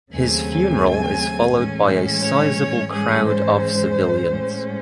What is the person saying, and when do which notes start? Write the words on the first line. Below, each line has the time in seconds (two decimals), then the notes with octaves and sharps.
His funeral is followed by a sizeable crowd of civilians.
0.13 D#2 C#3 F#3 A3 C4 G#5
1.52 A2 E3 G#3 C#4
2.22 C#5
2.91 G#2 E3 G#3 C#4 G#4
3.26 C5
4.30 A2 G#3 C#4